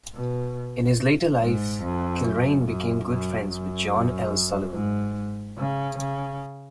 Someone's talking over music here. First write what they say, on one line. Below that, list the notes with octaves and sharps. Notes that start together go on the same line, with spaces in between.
In his later life, Kilrain became good friends with John L. Sullivan.
B2
G#2
F2
F#2
F#2
F#2
F#2
G#2
C#3
C#3